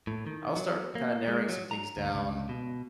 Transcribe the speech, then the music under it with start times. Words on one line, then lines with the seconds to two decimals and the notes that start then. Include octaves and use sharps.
I'll start kinda narrowing some things down
0.07 A2
0.27 D#3
0.57 F#3
0.95 A#3
1.28 G#3
1.49 F#3
1.71 A#5
1.97 D2
2.14 C#2
2.49 B2